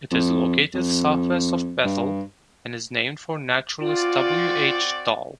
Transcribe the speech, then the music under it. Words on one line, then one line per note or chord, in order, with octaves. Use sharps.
It is located southwest of Bethel, and is named for naturalist W. H. Dall.
F2
F2
G2
C4 F4 F#4 D5